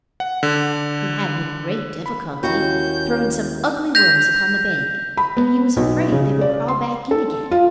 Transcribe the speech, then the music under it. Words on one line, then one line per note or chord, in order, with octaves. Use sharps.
He had, with great difficulty, thrown some ugly worms upon the bank and he was afraid they would crawl back in again.
F#5
D3
B5
D#2 C#4 E4 F#4 A#4 G5 G6
G6 A#6 B6 F7
B5
B3
B1
C#3
D5
C6
A4
F4